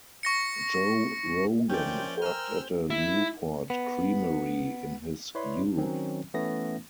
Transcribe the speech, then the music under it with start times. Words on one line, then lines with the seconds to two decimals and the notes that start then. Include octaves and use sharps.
Joe Rogan worked at a Newport Creamery in his youth.
0.23 C#6 A#6 C#7
1.69 F3 A#3 C#4 C5 D5 E5 G5 G6
2.22 A#4 G5 G#5 E6 F6 D#7
2.90 E4
3.70 B3
5.35 E4 B4 C#5 D5 B5 C6
5.77 D#3 F#3 C4 C#4
6.34 E3 A3 B3 C#4 E4 A#6